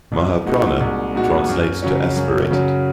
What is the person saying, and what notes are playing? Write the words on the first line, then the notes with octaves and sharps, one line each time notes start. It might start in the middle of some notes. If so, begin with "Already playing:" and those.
"Mahaprana" translates to "aspirated".
C2
A#2 G#3 D#4 F#4
C2
A#2 G#3 D#4 F#4
F#2
C#3 F#3 C#4
F#2
C#3 F#3 C#4